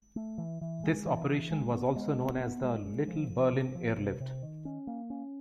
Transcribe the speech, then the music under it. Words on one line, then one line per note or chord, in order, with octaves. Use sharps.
This operation was also known as the "Little Berlin Airlift".
A3
E3
E3
G#3
E3
E3
G#3
B3
G#3
B3
B3
G#3
G#3
F3
F3
C3
F3
C3
C3
D#3
C#4
A#3
C#4